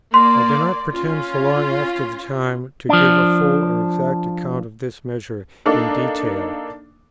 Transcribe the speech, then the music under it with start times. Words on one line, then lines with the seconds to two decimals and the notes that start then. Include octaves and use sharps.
I do not pretend, so long after the time, to give a full or exact account of this measure in detail.
0.14 A#3 D5 C6
0.91 C#4 F4
2.89 F3 D4
5.66 A#3 D4 D#4 A4